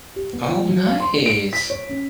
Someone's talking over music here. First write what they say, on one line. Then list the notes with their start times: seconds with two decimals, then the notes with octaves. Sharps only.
Oh, nice.
0.16 G4
0.33 B3
0.49 F3
0.69 F#3
0.86 F5
1.00 C6
1.12 D4
1.26 D7
1.53 B6
1.70 C#5
1.89 C#4